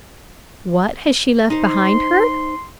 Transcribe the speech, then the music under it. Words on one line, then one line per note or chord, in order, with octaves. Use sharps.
What has she left behind her?
D#4 C5 C6